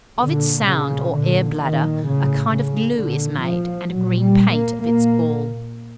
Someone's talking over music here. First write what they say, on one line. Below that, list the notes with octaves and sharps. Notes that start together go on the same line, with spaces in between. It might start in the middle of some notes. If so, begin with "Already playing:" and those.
Of its sound, or air-bladder, a kind of glue is made, and a green paint of its gall.
A#2 D3
C#3
A#2 D3
D#3
A2 C#3
C#3
A#2 D3
F3
A#2 F#3
G3
A#3
A#2 A#3